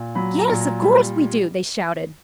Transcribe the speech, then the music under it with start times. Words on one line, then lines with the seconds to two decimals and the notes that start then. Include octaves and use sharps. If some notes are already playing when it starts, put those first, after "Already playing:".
"Yes, of course we do," they shouted.
Already playing: A#2
0.15 F#3 B5
0.39 A#5
0.49 A#2
0.60 A#5
0.82 G3 B5